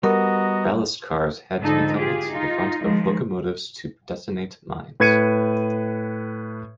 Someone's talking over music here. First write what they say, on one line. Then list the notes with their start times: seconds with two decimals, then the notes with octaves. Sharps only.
Ballast cars had to be coupled to the front of locomotives to detonate mines.
0.03 G3 B3 F#4 A#4 D#5 A#5
1.59 G#2 D3 F3 D#4 A4
1.97 F4 G4 G#4
2.28 D#4 F4
2.82 D#3 F3 G#3
5.00 A2 B4 G#6 C#7 D#7